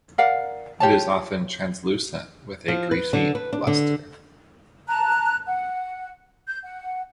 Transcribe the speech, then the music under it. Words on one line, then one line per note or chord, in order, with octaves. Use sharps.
It is often translucent with a greasy luster.
A#4 D5 F5 F#5
F4 G4 C#5 A5
F3
B4
D3
B4
D4
D3
A5 A#5 F#6
F#5
G6
F#5